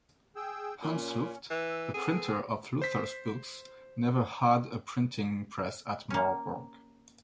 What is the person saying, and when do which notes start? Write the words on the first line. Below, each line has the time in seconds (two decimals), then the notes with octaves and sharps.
Hans Luft, the printer of Luther's books, never had a printing press at Marburg.
0.36 G#4 G5 E6
0.83 A#2 C#4
1.50 E3 E6
1.94 B3 C4 G#4 A4
2.82 C5 B6
6.10 A#3 C#4